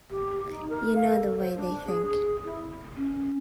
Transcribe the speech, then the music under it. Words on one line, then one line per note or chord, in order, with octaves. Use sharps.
You know the way they think.
G4
D#4
A#4
F5
A4
C5
D4
G#4
G#4
E4
C#4